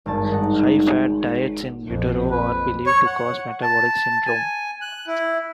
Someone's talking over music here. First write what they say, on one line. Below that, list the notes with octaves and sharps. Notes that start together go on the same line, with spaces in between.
High fat diets in utero are believed to cause metabolic syndrome.
G#1 G2 A5
D#4 F#5
A#1 F2
B4
C#5
F#5
A5
G#5
F#6
E4